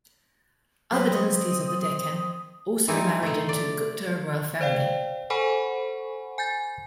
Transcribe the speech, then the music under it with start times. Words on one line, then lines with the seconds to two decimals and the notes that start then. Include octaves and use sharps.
Other dynasties of the Deccan also married into Gupta royal family.
0.92 F#3 C4 G4 B4 B5 D#6
1.13 D#5 C#6
2.88 D#3 E3 C4 D#4 E4
3.22 A3 D#4
3.49 D5
4.61 C5 D5 F5 G5
5.30 A4 C5 F#5 G#5 B5 C#6
6.38 G#5 G6 A6